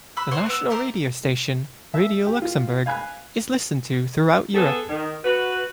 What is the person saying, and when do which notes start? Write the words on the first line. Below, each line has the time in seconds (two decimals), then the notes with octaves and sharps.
The national radio station, Radio Luxembourg, is listened to throughout Europe.
0.16 B5 E6 F#6
0.31 C5 C#5 F#5
0.46 B3 E6
0.70 A#4 C5 D5 E5
1.94 E5
2.26 G4
2.42 F4
2.86 F5 G#5 B5 F#6
4.54 B3 G#4 A4
4.89 D#3
5.24 F#4 B4